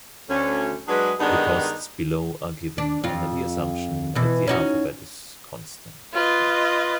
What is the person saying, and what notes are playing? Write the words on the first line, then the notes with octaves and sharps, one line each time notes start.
The costs below are given under the assumption that the alphabet is constant.
D2 C#4
F#3 G#3 D4 G#4 B4
G2 D#3 G#3 B3 D4 D#4
D4
F2 F4
B2 E3
C#4 D#4 F#4
F4 B4 D#5